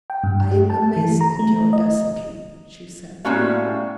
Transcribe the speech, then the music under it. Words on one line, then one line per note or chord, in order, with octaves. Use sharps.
"I am amazed at your audacity," she said.
G5
G2
G4
A5
E3
A#5
A3
D#5
A2 G3 A#3 C#4 F#4 F5